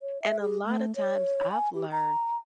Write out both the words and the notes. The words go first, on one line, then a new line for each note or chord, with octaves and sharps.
and a lotta times I've learned
C#5
E5
G#4
A3
C#5
G#5
G4
A#5